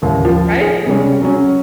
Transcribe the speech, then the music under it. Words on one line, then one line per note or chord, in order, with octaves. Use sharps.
Right? And it's like
A1 D#2
F3
G#4
C3 G3 G#3 C#4
F#3 C#4